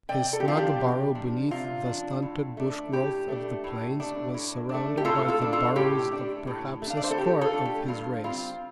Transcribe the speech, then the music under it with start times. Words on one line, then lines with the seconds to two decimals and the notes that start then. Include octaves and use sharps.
His snug burrow beneath the stunted bush-growth of the plains was surrounded by the burrows of perhaps a score of his race.
0.09 C3 D5 G5
0.33 A4
0.40 G4
0.45 F3 D4 F4 A4
0.57 G4
0.80 C3
1.15 F3 D4
1.51 C3 F4
1.86 D4
1.91 F3
2.22 A2
2.57 A3 D4
2.92 A2 G4
3.29 A3 D4
3.64 A2
4.00 A3 D4
4.34 A2
4.69 D4
4.74 A3
4.97 G4
5.05 A2 F4 A4
5.28 F4 A4
5.41 A3 D4
5.53 F4 A4
5.76 A2 G4
6.12 A3 D4
6.47 A2
6.82 A3
6.87 D4 F5
6.97 D5
7.04 C5
7.11 A4
7.17 A2 G4
7.41 F4 A4
7.53 A3 D4
7.65 G4
7.88 G2 F4
8.24 G3 C4 F4